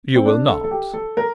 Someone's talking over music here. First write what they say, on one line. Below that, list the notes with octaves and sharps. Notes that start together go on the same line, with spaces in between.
"You will not."
C4
D4
A4
A4
G4
A4
A#4